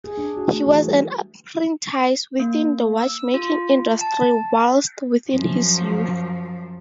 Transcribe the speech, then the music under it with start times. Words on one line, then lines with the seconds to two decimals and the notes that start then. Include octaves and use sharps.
He was an apprentice within the watch making industry whilst within his youth.
0.04 G#4
0.17 D4
0.37 F#4
0.50 A3
0.67 E3
0.87 G3
2.39 A#3
2.98 E6
3.34 F4
4.01 A5
5.29 F#2 F3